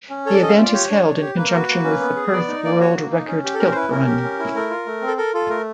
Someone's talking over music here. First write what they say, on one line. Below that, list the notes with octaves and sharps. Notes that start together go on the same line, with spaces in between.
The event is held in conjunction with the Perth World Record Kilt Run.
C#4
A4 C#5
D5
C#4 D#5
F5
E5
F4 D5
G4 C#5
D4
D4
G4
A#3 B4
A#4
F#4 B4
A#3
C#4
B3
G#4
B3 D5
D#4
A#3 D5
F#4 C#5
A#3
D#4
C#4
G4
A4
C#4 A#4
C5
E4 B4
C#4 A#4
G4
C#4
E4
A3 A#4
F4
A3
C4
A4
A4 A#4
F4 A4
A3 A#4